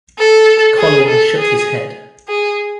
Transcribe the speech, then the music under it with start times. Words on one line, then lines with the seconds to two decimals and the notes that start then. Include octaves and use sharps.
Colin shook his head.
0.19 A4
0.78 G#4
1.08 A4
1.38 G#4
2.29 G#4